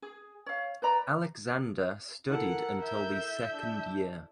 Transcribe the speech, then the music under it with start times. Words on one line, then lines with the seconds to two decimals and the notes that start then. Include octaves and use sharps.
Alexander studied until the second year.
0.02 G#4
0.46 C#5 F5
0.82 B4 D5 A#5 B5
2.30 E4 A4 A#4 F#5
2.82 E5 G6
3.53 D4